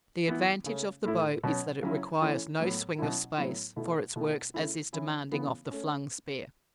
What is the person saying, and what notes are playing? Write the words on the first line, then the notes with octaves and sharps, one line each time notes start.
The advantage of the bow is that it requires no swing of space for its work as is demanded of the flung spear.
E3 B3 E4
C#3 A3 C#4
A2 A3 E4
B2 F#3 C#4
C#3 F#3 C#4 E4
E3 A3 C#4 E4
A2 F#3 B3
B2 F#3 C#4 E4
A2 F#3 B3 E4
B2 A3 E4
B2 A3 E4
C#3 A3 E4
E3 C#4 E4
C#3 E3 B3
A3 C#4